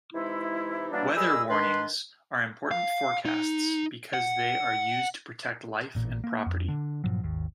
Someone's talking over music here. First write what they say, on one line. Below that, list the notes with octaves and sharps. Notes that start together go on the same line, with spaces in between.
Weather warnings are important forecasts because they are used to protect life and property.
C3 E3 G#3 D#4 E4
E3 F#3 G3 A#3 D4
G3 G#4 A#4 D#5 B5 E6
D#3 D4 B4 C6
F5
D#4
F#5
A1 A#2
A#3
F2
D3 D4
G2 A#2 F3 F#3
G#1 D#2